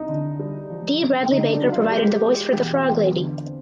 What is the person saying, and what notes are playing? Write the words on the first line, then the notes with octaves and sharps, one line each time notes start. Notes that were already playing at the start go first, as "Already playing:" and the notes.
Dee Bradley Baker provided the voice for the Frog Lady.
Already playing: C2 D#4 D#5
D3
G3
F3
C#3
D3 D#4 D#5
D4 D5
F#3
F4 F5
G#3 G4 G5
G#3
E1 G4 G5
F4 F5
E2
D3
C4